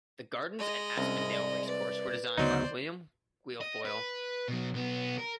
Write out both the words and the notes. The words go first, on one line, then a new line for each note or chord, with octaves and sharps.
The gardens at Aspendale Racecourse were designed by William Guilfoyle.
G#3 D#5
C2 C#4
D5
B4 D5
D2 C#3 F#3 B3 D#4 C5 D5
D#5
B4
B2 F#3
B1 B3
A#4